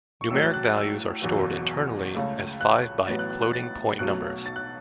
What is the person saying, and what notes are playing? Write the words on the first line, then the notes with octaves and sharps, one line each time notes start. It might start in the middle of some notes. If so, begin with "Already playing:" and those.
Numeric values are stored internally as five-byte floating point numbers.
C#6
A1 A2 F#3 E6
A6
F#6
F#6
E6
F#1 E2 B2 F#3
C#2 C#3 A3
F#6
A1 A2 F#3 B3 A6
F#6
F#6
F#6
A6
B1 B2 F#3 A3 F#6
A6
F#6